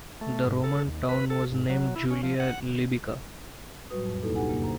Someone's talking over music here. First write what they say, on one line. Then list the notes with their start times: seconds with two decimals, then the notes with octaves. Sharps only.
The Roman town was named Julia Libyca.
0.21 A3
0.46 G#2
0.64 A4
0.87 D#2
1.09 B4
1.30 A4
1.52 G#2
1.70 F#3
1.96 E4
2.11 C#4
2.23 F3
2.40 F#5
3.90 A2 F#3 G3 F#4 B4 D#6
4.06 F2
4.23 D2 B2 A#3 D#4 E4 A4
4.35 D4 D#4 G4 A4 F#5 G#5
4.48 F#2 C#3 A#3
4.63 C5 A#5